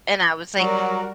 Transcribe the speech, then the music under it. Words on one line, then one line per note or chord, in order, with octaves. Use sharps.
And I was like,
F#3 G3 F#4 A#4 D5